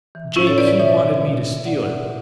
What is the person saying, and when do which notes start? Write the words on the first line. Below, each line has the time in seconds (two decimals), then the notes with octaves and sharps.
Jake, he wanted me to steal it.
0.15 E3
0.36 A2 C#4 E4
0.47 A4 C#5
0.58 E3 B4 D5
0.68 B4 D5
0.79 B2 C#5 E5
1.23 B2
1.65 A2 D5 F#5
1.87 E3